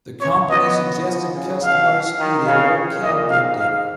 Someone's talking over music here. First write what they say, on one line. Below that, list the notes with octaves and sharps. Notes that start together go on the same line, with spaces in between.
The company suggested customers eat a low-calorie dinner.
C#4 C#5
B3 D#5
F3
C#3
B2 F5
D#3
C#3 F5
A#2 D#5
G#2 F5
F5